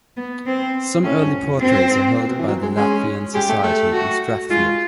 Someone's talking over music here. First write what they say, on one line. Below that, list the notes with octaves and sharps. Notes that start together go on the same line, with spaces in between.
Some early portraits are held by the Latvian Society in Strathfield.
B3
C4
A2 C#4
A2
G2
F2
F2
F#2 C4
G#2
A#2
B2
E3
F#3
G#3
G#3 C#4
G#3 G4
A3
A3
F#4
G#3 F4